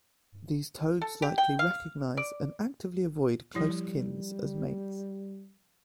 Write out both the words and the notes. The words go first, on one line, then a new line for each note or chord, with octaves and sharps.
These toads likely recognize and actively avoid close kins as mates.
A4
G4
G5
F5
D5
F3 G3 E4